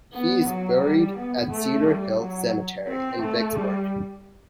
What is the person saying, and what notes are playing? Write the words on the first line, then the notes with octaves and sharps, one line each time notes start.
He is buried at Cedar Hill Cemetery in Vicksburg.
B3
F#3
G3
B3
A3
G3
F#3
C4
A3
G3